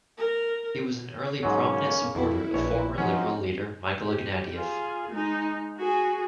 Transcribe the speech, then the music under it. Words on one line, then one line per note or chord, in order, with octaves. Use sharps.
He was an early prominent supporter of former Liberal leader Michael Ignatieff.
A#4
G#2 C#3 F#3 A#3 C#4
F2 E4
A#1 B4 C#5
F3 C4 C#4 D#4 F#4
G4
F4 G#4
G#3 D#4
F#4 G#4